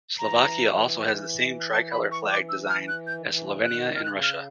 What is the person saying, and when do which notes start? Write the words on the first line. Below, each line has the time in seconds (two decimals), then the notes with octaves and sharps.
Slovakia also has the same tricolor flag design as Slovenia and Russia.
0.19 E3 A#5
1.73 A5
1.91 B5
2.11 C#6
2.31 D6
2.49 E6
2.69 F6
2.88 F#6
3.07 G6
3.17 D#3
3.26 E3
3.38 C3
3.47 C#3
3.56 D3
3.65 D#3 F#6
3.96 F6
4.03 C#3 F#6
4.23 F6